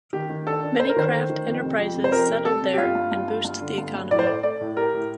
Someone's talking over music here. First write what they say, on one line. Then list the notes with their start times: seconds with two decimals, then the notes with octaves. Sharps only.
Many craft enterprises settled there and boost the economy.
0.13 D#3 G4
0.30 D#3
0.47 D4 A4
0.63 D4
0.80 A3 C5
0.89 A#4
0.96 D#3 C5
1.13 A3
1.30 D#3
1.46 F2
1.63 C3
1.79 F2
1.96 C3
2.04 C5
2.12 F2 A#4
2.29 C3
2.45 G3 A4
2.61 C3
2.73 G4
2.78 G2 F4
2.95 G2
3.12 G2
3.28 G2
3.44 G2
3.61 D3
3.78 G2
3.94 G2
4.11 A2 D5
4.19 C5
4.27 A3 D5
4.43 A3 D5
4.61 A2
4.77 G4 A#4
4.94 A2